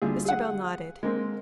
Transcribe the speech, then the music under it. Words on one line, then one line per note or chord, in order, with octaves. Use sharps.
Mr. Bell nodded.
D2 G3 F4 G#4
G#4 F#5
G#3 A#3 C4